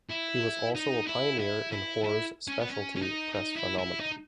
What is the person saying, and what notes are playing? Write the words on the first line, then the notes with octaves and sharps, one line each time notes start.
He was also a pioneer in horror's specialty press phenomenon.
E4
D#4
E4
E4
E4
E4
C#4
B3
C#4
C#4
D#4
D#4
E4
E4
D#4